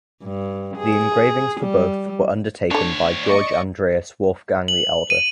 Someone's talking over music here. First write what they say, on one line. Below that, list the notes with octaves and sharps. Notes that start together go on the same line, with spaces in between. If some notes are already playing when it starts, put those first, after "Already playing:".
The engravings for both were undertaken by Georg Andreas Wolfgang the Elder.
G2
G#4
G3
D2 D4 A4 C#5
D5 D#5 C#6
F#7
D#7